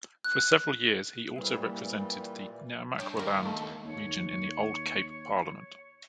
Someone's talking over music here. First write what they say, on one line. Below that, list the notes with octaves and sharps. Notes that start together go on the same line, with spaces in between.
For several years he also represented the Namaqualand region in the old Cape Parliament.
F#6
A#2 E3 G3 A#3 B4 C5
G2 D3 C#5 G5 D6
D#2 A#4 B5
A3
D#2 C#5